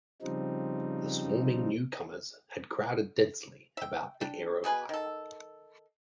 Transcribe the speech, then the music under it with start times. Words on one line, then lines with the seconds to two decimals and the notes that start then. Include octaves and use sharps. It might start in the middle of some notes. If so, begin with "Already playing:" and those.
The swarming new-comers had crowded densely about the aeropile.
0.22 C#3 F3 G3 C4 D#4
3.77 E5 G5
4.21 D4 G5
4.64 B2 G#4 B4 G#5
4.89 D#3 A4